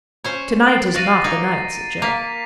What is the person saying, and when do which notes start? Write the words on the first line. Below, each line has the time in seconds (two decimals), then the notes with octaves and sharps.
"To-night is not the night," said Joe.
0.24 C#4 C5 C#5
0.67 A6 C7 D7
0.95 F#4 F5 A6 A#6 D#7
1.24 A#3 D#4 D5
2.02 A#3 B6 F7